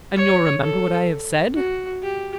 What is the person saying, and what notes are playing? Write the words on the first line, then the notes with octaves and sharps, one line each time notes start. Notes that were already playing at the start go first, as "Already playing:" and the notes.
"And you'll remember what I have said?"
C#5
A4
F#4
G4